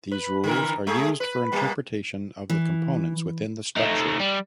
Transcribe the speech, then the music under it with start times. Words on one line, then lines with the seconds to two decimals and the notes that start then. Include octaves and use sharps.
These rules are used for interpretation of the components within the structure.
0.12 B4
0.44 D3 E3 A#4
0.87 G#3 A3 G#4
1.20 B4
1.52 B2 G3 A#3
2.50 E3
3.76 A3 D#4
4.20 G3